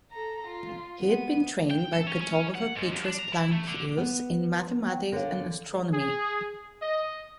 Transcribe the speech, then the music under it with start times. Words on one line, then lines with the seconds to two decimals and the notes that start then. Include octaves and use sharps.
He had been trained by cartographer Petrus Plancius in mathematics and astronomy.
0.12 A4 A#5
0.47 F4
0.98 B3 D#7
1.70 G5
1.92 A4
2.07 C#4
2.21 C#4
2.55 F#5
2.76 G#2
2.92 D#2
3.05 D4
3.19 A#5
3.33 E4
3.52 A3
3.68 D3
3.98 B3
4.89 F#5 G5
5.12 D3 A#4 C#5 F5
5.92 G#4
6.81 D#5